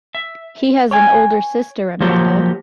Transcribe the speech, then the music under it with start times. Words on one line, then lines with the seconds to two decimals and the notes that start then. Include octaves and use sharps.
He has an older sister Amanda.
0.15 E5
0.91 C#5 G5 G#5
2.00 F3 F#3 A#3 G4 C5 C#5